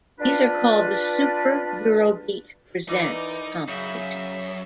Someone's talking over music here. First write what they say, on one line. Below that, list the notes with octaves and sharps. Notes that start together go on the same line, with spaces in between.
These are called the "Super Eurobeat presents" compilations.
D4 F4 B4
E3 D#4 A#4 D5
F#2 C#3 E5